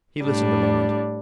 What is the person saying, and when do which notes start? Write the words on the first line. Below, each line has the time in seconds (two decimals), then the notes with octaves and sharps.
He listened a moment.
0.23 A2 G3 D4